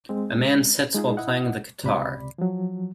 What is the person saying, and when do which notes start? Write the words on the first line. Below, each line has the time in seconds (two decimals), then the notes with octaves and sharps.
A man sits while playing the guitar.
0.09 G#3 C4
0.95 G#3 D#4 F4 G#4
1.17 E4 D#5 F#5
1.83 C#2 C3 D5 B5
2.38 F3 F#3